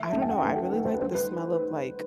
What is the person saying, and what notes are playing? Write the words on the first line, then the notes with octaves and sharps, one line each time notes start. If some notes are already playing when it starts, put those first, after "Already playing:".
I don't know. I really like the smell of, like,
Already playing: D#3 A3 E5
F#2 D#3 A3 A5
G5
F#5
F#2 D#3 A3 B4
A4
F#2 D#3 A3 B4
C5
B4
D#3 G3 D#4 C5
B4